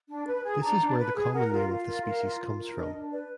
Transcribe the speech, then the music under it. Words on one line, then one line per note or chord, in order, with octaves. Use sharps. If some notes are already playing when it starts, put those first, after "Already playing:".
This is where the common name of the species comes from.
D4
B4
G#4
D4 A#5
D4
B4
G#4
A#4 F#5
F4
F4
A#4
A#4 F5
F4
F4
A#4
D4 D#5
D4
B4 D5